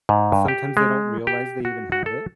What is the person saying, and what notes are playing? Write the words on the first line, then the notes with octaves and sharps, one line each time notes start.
sometimes they don't realize they even have it,
G#2
G2
G4
G#3
G4
F#4
F#4
A4